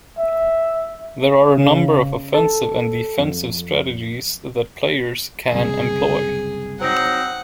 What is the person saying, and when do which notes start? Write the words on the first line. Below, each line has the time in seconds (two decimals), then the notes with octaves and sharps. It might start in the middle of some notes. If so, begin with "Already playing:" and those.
There are a number of offensive and defensive strategies that players can employ.
0.18 E5
1.58 C#3
2.34 A4
3.19 F2
5.52 F#1 C2 G#4
6.81 F#3 C4 D#4 F#5